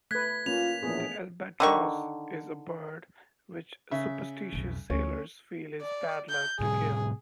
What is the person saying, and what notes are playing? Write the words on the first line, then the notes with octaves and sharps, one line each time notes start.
The albatross is a bird which superstitious sailors feel is bad luck to kill.
A3 B4 F#6 G#6 B6
A#3 C#4 F4 F7
A#1 E2 A2 A3 B3 G#4
D3 D#3 C#6
C#3 E5
B1 F2
D2 C#4
D5
G6
A2 C3 G3 G#4